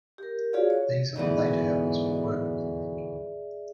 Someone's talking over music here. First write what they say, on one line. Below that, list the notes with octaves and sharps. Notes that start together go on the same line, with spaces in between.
These are late hours for working and thinking.
G4 A#4
F4 F#4 G#4 C#5 D5 F5
C#5
D2 G#2 B2 E3 G#4 D5 E5